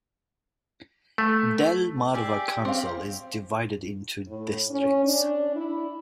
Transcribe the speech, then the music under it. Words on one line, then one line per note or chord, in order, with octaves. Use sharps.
Del-Mar-Va Council is divided into districts.
A3
G4 G#4 D5 E5
C4 F5
A2
C#4
D4
E4